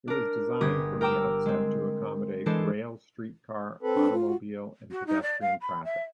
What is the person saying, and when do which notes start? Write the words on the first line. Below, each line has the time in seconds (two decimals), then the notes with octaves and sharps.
It was designed from the outset to accommodate rail, streetcar, automobile and pedestrian traffic.
0.08 D4 A#4
0.61 G1 B3 G4 G#4 D#6 G#6
1.01 A#4 G5 A#5 D6 E6
1.46 G#3 C4
2.46 E3 G#3 D4 A4 C5
3.83 C4 A4 B4
3.96 D4
4.13 F4
4.26 F#4
4.91 F#4
5.07 D#4
5.22 D5
5.41 F5
5.62 B5
5.84 E5